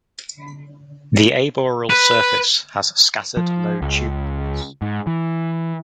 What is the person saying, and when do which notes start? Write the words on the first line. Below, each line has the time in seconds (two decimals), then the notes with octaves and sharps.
The aboral surface has scattered low tubercles.
1.90 B4
3.37 F3
3.82 C#2
4.82 G#2
5.07 E3